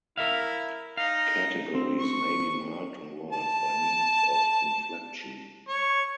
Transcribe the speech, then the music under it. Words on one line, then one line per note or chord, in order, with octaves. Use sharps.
Categories may be marked on words by means of inflection.
E4 A#4 E5 F5
D#4 F5
C4
C#6
A5
C#5